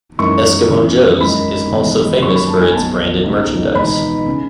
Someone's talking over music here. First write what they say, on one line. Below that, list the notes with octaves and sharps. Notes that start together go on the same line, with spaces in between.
Eskimo Joe's is also famous for its branded merchandise.
F#2 E3 G#3 D#4 C#6
E2 C#3 E3
F#2 D#3 G#3 D#4 B5
E2 B2 G#3 D#4
F#1 F#2 D#3 F#3 C#6
B5
A5
G#5
B1 B2 F#3 A3 A5
C#2 B2 A3 D#4
E2 B2 G#3 B3 D#4 B5
C#3